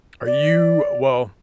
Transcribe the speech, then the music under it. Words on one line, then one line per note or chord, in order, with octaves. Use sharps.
Are you well,
D5